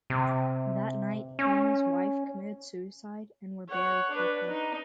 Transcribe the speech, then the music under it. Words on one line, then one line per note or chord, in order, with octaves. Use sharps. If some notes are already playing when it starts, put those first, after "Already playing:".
That night, he and his wife committed suicide, and were buried quickly.
C3
C#4
C#5 F#5
D4 B4
D#4